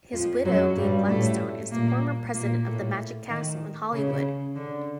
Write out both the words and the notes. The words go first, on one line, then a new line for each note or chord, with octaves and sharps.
His widow, Gay Blackstone, is the former president of The Magic Castle in Hollywood.
F2 F3
F#2 F#3
G2 G3
A2 A3
A#2 A#3
A#2 A#3
A2 A3
D#3
C#3
D3